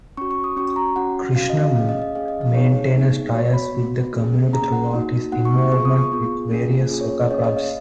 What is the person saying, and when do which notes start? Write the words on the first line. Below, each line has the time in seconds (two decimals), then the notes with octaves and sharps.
Kirshner maintains ties with the community through his involvement with various soccer clubs.
0.17 C#4 F#4 C#6
0.31 C#6
0.44 D#6
0.57 C#4 F#4 C#6
0.76 A#5
0.96 C#4 F#4 F#5
1.36 C#4 F#4 F5
1.50 D#5
1.63 F5
1.75 C#4 G#4 F5
1.89 D#5
2.02 D#5
2.15 C#4 G#4 F5
2.28 D#5
2.41 F5
2.54 B3 D#4 G#4 C#5
2.95 B3 D#4 G#4
3.34 F#4 C#5
3.39 B3
3.54 B5
3.74 B3 F#4
4.13 A#3 C#4 G#4
4.53 A#3 C#4 G#4 A#5
4.73 F#5
4.93 A#3 D#4 F#4
5.32 A#3 D#4 F#4 F#5
5.45 C#6
5.58 C#6
5.72 B3 F4 G#4 C#6
5.85 D#6
5.98 C#6
6.12 B3 F4 G#4
6.51 A#3 C#4 F4 G#4
6.91 A#3 C#4 F4 G#4
7.01 C#5
7.21 D#5
7.31 A#3 C#4 G#4 C#5
7.44 D#5
7.57 F5